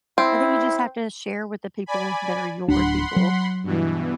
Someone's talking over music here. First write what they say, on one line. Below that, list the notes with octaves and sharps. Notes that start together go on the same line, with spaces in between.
I think you just have to share with the people that are your people.
C4 E4
D5 G#5 B5
D1 D4 F#5 B5 C6
F#3
G2 B2 E3